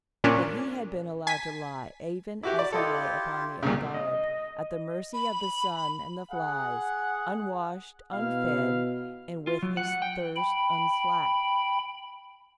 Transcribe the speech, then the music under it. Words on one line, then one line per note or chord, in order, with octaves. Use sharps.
But he had been allowed to lie, even as he lay upon the angareb, at the mercy of the sun and the flies, unwashed, unfed, and with his thirst unslaked.
A#2 C#4 D4
G#5 B6
E4 F#4 G4 D6
D5
E4 F4 G4 A4 D#5
C2 A#2 C#3 F#3
D#5
B5
G#4 F#5
B2 E4 F5
F4
F#3
F#5
G5
G5 B5